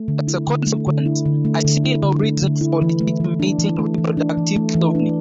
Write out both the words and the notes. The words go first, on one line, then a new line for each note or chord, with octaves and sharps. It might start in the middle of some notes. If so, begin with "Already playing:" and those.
As a consequence, I see no reason for legitimating reproductive cloning.
Already playing: A3
D3
E4
D3
A3
D3
E4
D3
A3
D3
E4
D3
A3
D3
E4
E3
A3
E3
D4
E3
A3
E3
D4
E3
A3
E3
D4